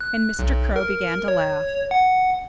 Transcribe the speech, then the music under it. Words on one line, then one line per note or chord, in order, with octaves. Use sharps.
And Mr. Crow began to laugh.
F#6
B1
A#4
C#5
F#5